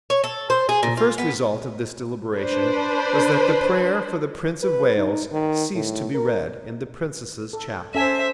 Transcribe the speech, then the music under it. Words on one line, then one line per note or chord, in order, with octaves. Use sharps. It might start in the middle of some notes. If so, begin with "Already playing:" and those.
The first result of this deliberation was that the prayer for the Prince of Wales ceased to be read in the Princess's chapel.
C#5
A4
C5
G#4
A#2
F4
B3
D4 B4 C5
B4
D#4
D#3
A2
A#4
A4
C#4 A4 C5 E5 G#5